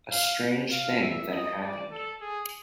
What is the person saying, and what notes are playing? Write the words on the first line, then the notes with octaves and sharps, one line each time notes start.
A strange thing then happened.
F5
F5
E5
D#5
D5
A4
G#4